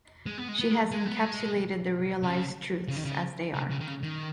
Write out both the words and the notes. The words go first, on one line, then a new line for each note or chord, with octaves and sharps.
She has encapsulated the realized truths as they are.
G#3
B3
G#3
B3
G#3
G#3
B3
G#3
C#3
C#3
D#3
C#3
C#3
C#3
D#3
C#3
D#3